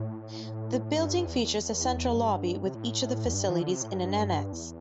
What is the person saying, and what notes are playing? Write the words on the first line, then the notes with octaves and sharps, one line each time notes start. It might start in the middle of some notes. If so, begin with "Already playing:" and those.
The building features a central lobby with each of the facilities in an annex.
Already playing: A2
G2
E2
G2
C3
A2
E2
G2
E3
D3
C3
A2
G2
E2